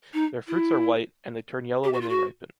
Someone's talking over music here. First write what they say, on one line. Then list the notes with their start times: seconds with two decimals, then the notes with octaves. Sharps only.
Their fruits are white, and they turn yellow when they ripen.
0.14 D#4
0.48 E4
1.84 G4
1.93 F#4
2.01 F4
2.09 F#4